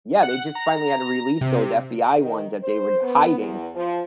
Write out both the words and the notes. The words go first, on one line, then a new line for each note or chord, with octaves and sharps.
Yeah, they just finally had to release those FBI ones- that they were d hiding-
F#5
A#5
C3
D#3
C5
B3
E2
F3